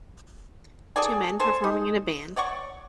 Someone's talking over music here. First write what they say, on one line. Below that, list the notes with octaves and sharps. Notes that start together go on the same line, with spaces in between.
Two men performing in a band.
G#4 A4 D5 G#5
A4 C5 G#5
D#4
C#5 D5 F#5 C#6